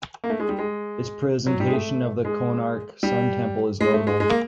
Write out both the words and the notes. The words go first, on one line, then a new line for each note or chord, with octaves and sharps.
Its presentation of the Konark Sun Temple is notable.
A#3
A3
G#3
G3
G#3
F#3
G3
G#3
A3
G#3
G3
G#3
A3
G#3
G#3
A#3